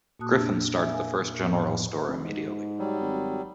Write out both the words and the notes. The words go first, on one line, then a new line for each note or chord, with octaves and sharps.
Griffin started the first general store immediately.
A#2 A#3 F#4 A5 D#6 F#6
F2 D4 A5 E6
C5 E5 G#5
A#4 F5 G#5
F2 A2 F3 B3 C#6
F1
G#2
F#3 G3
G#1